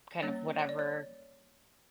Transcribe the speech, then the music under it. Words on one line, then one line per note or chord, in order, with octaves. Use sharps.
kind of whatever
G3 A#3 C#4 C#5
C#5
D5
C#5